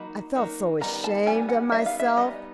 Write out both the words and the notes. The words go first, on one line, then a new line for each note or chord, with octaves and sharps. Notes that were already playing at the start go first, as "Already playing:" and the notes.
I felt so ashamed of myself.
Already playing: F#3 A#3 D#4 B5
F#3 A#3 D#4
D#3 G3 B3 D#4 A#5
A5
D#3 G3 B3 D#4 G#5
F#5
G3 B3 D#4 E5
F5
E5
G3 B3 D#4 D#5